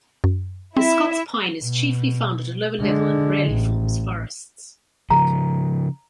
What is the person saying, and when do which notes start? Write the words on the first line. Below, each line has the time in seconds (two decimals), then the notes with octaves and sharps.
The Scots pine is chiefly found at a lower level and rarely forms forests.
0.24 F#2
0.77 C4 E4 E5
1.63 B2
2.81 D3 G#3
3.51 A1
5.10 C#3 F3 A#5